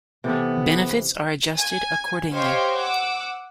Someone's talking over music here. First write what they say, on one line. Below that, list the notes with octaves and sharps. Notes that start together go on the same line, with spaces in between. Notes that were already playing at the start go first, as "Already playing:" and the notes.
Benefits are adjusted accordingly.
C3 E3 B3 A4
G#5
G4 C5 C#5 D#5 F5 G5
F#5 D6 E6